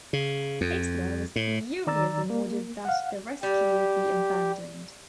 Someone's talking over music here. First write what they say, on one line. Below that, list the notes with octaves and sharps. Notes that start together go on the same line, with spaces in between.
Hitler was furious and ordered that the rescue be abandoned.
C#3
F2
A2
D#3 D5 A#5 E6 A6
A#3
F5 F#5
G3 G4